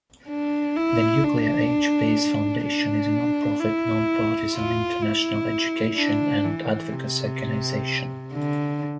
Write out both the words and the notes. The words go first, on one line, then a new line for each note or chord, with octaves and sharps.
The Nuclear Age Peace Foundation is a non-profit, non-partisan international education and advocacy organization.
D4
E4
D4
D4
E4
F4
E4
D4
E3
C3
D3